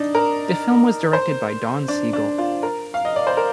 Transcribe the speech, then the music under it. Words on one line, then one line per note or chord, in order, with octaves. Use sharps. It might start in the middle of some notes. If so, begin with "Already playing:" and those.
The film was directed by Don Siegel.
Already playing: D4 D#4
A#4
C5
D4
D4
F4
A#4
F5
D#5
D5
C5
A#4